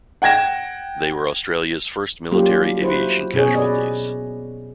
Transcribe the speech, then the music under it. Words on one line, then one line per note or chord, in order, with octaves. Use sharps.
They were Australia's first military aviation casualties.
F#5 G5 G#6 A#6 E7
F#3 G3 A#3 C#4 F4 G4
E4 F#4 B4 C5
B2 C#4 G#4 C#5
B4 D5 D#5